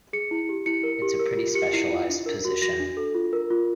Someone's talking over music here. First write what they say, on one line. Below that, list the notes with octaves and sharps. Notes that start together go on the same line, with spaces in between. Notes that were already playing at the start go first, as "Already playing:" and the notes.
It's a pretty specialized position.
G#4 C#7
E4
G4
E4 C#7
A#4
G4
A#4
F4
G4 C#7
E4 C7
F4
D4
A#4
F#4
F#4 A#6
D4
A4
F4
A#4
F4